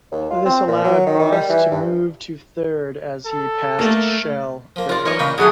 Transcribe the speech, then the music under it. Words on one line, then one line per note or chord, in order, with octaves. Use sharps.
This allowed Moss to move to third as he had passed Schell earlier.
D#2
F4
C4
A#2
F#3
D#3
D#3
G3
E3
G2
A4
A3 A#3
F3 A#3
F4 A#4 D5
E3 A#4 C#5 D#5
A#2 C#3 D4 G5
B2 F#3 A3 G#4 D#5 G#5